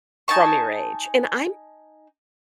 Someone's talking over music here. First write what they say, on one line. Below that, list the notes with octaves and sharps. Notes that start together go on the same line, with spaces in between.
from your age, and I'm
D#4 G#5 A5 C#6